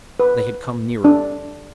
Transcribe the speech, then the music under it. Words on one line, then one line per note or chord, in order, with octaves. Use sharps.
They had come nearer.
B4
D4